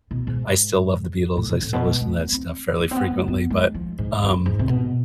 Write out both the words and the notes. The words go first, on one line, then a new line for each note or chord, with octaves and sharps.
I still love the Beatles, I still listen to that stuff fairly frequently, but, um
B2
G#2
A2
C3
A2
B2
G#3
A3
B3
C4
B3
C4
B3
A3
B3
G#3
F3
G#2
F2
G#2
C3
B2